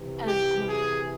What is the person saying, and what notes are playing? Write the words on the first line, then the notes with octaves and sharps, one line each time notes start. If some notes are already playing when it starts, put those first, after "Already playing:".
And, um,
Already playing: C3 E3
G4
G#4